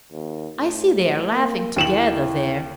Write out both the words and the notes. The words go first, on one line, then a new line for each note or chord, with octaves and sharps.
I see they are laughing together there.
D#2
A2
A#3
D#2 E4 E7 F#7